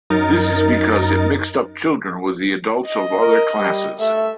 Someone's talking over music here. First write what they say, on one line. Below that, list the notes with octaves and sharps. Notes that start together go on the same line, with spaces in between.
This is because it mixed up children with the adults of other classes.
F#2 D#4 A#4 A6
D#5
A#4
G3
A3 E5